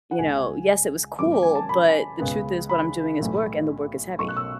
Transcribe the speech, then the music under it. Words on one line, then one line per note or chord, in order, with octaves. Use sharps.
you know, "Yes, it was cool, but the truth is what I'm doing is work, and the work is heavy."
F#5
C#2 C#3 G#3 B3 G#5
G#1 G#2 F#3 B3 D6
G#5
A5
B5
C#2 C#3 G#3 B3
B5
B1 A2 E3 A3
B1 B2 A3 C#6
F#6
E6